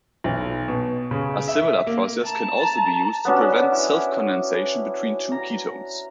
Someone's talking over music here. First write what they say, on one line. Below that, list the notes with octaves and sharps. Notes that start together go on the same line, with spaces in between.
A similar process can also be used to prevent self-condensation between two ketones.
B1
B2
C#3
E5
A#3
A5 A#5
B3 C#4 D4 F#4
E4
A#5